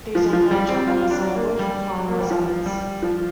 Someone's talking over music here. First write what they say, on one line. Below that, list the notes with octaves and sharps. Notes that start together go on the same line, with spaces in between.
These include Japanese language for foreign residents.
F3
F3
G3
C4
F4
F4
D4
A#3
G3
A#3
G3
F3
G3
F3